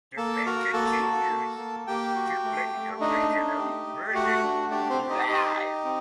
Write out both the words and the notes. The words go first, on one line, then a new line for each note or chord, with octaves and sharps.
The band continues to play the original version live.
A#3 A4 A5
F#4 A#4 A#5
A#3 A4 A5
F#4
A#3
A#3
A#3 G4 G5
F#4
A3
A3
D4 D#4 D#5
A3
G4
A3
A3 F#4 F#5
D4
D4 G4 D5
C4 C5
G4
D#4 D#5
D#4 G4 D#5
G4
C4